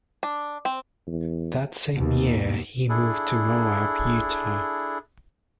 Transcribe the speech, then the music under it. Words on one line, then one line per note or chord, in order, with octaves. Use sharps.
That same year he moved to Moab, Utah.
D4
C4
E2
D#2 B2
D4 E4 G#4 A4